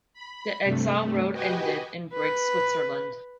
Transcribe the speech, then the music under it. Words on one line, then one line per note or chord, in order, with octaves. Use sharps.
The exile road ended in Brig, Switzerland.
B5
G2 C3 A3
F#4 G4 B4 D#5 G5 G#5
B4